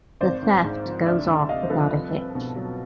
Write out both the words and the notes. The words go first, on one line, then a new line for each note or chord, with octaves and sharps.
The theft goes off without a hitch.
G#1 C5 D5
G#1
G#2
F3
D2 D5 E5
D2
C3 D#5 F5
C5
F3 A4 B4
C2
C2
B2
F#3